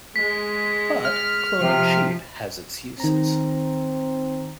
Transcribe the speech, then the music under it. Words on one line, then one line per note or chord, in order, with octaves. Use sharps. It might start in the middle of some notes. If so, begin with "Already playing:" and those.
But cloning sheep has its uses.
G#3 B6
F6
C3 F3
D#3 C4 A#5